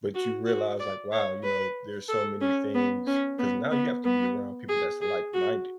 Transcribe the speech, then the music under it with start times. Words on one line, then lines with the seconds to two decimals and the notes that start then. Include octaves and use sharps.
But you realize, like, "Wow, you know, there's so many things" 'cause now you have to be around people that's, like-minded
0.14 F#4
0.46 F#4
0.79 D5
1.12 C#5
1.43 B4
2.09 A4
2.41 C#4
2.75 B3
3.07 C#4
3.39 B3
3.71 B3
4.05 B3
4.69 G#4
5.02 G#4
5.34 F#4